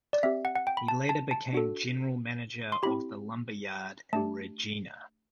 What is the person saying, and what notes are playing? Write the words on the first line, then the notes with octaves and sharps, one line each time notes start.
He later became general manager of the lumber yard in Regina.
D5
C4 G4 E5
F#5
F#5
G5
B5
A5
A5
A5
D4 F#4 A4
C6
C4 E4 G4 B5
A3 D4 G4 A5